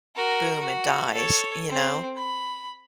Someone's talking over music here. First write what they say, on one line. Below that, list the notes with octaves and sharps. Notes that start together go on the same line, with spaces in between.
boom, it dies, you know,
F#4 A#4
F#4
A4 C#5
C4
B5